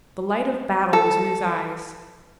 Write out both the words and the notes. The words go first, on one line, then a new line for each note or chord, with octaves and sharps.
The light of battle was in his eyes.
A4